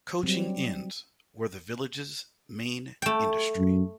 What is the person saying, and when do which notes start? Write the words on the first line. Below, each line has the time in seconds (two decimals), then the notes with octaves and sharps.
Coaching inns were the village's main industry.
0.23 F#3 G3 C4
3.02 A3 G5
3.57 F#2